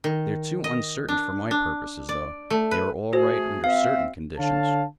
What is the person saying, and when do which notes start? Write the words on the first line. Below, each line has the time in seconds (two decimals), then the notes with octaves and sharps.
"They're too uncertain for my purposes, though; they are all right under certain conditions."
0.04 D#3
0.64 D#5
1.08 D4
1.51 D4
2.09 D5
2.50 A3
2.71 B4
3.13 A3 F#4 G#4 C5
3.64 C4 E5 F5
4.38 D3 C#5 F5 A5